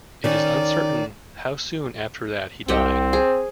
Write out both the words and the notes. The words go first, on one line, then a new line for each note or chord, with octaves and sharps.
It is uncertain how soon after that he died.
D#3 C#4 D5
C2 C4 G4 F#5 G5
G#4 C5